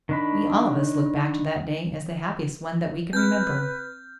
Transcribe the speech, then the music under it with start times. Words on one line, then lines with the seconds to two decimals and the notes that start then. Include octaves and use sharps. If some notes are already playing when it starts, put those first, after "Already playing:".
We all of us look back to that day as the happiest one that we can remember.
0.09 D#3 D4 B5
3.13 C4 B4 F6 G6